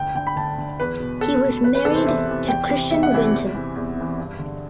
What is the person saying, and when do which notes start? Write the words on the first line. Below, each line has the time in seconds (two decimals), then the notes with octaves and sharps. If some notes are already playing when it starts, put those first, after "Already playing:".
He was married to Christian Winton.
Already playing: D2 G5
0.15 D3 G5
0.27 B5
0.36 D2 A5
0.58 D3
0.79 E2 B4
1.00 B2
1.21 E2 A4
1.43 B2
1.64 E2 B4
1.75 B4
1.85 C3 E3 A4
1.95 C5
2.06 E2 E5
2.27 C3 E3
2.49 E2 G5
2.69 C3 E3
2.91 E2 E5
3.03 F#5
3.12 C3 E3 E5
3.34 E2
3.55 C3 E3
3.76 E2
3.96 C3 E3
4.19 G2
4.39 D3